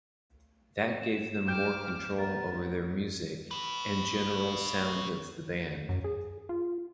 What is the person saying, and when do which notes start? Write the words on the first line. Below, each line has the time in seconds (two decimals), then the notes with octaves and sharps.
That gave them more control over their music and general sound of the band.
1.01 E7
1.47 G5 D6 F6 G6 D7
2.18 B3 A#4 A6
3.51 F#4 B4
5.89 F#2
6.04 G#4
6.49 F4